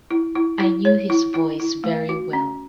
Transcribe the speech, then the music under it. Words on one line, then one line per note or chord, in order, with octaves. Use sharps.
I knew his voice very well.
E4
E4
E4
C#5
E4
E4
E4
A3
F#4
C#4